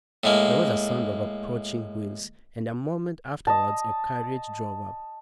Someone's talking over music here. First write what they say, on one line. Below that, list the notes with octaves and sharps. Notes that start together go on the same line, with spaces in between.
There was a sound of approaching wheels, and a moment afterwards a carriage drove up.
A2 G#3 A#3
D#5 A5